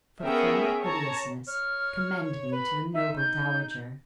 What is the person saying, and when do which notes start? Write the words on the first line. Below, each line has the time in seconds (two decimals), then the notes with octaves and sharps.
For frank hideousness, commend me to the noble dowager.
0.23 B3 C#4 G#4 A#4 E5 G5
0.83 C#5 A5 A#5
1.48 C#5 F6
2.52 B4 B5
2.94 D#4 E5
3.17 G6